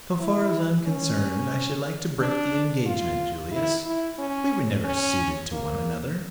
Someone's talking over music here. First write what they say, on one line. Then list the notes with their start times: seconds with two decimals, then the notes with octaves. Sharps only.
"So far as I am concerned I should like to break the engagement, Julius. We were never suited to one another."
0.20 E4
0.87 C#4
2.20 D4
2.86 F4
3.52 E4
3.86 E4
4.19 C#4
4.85 C#4
5.52 A#3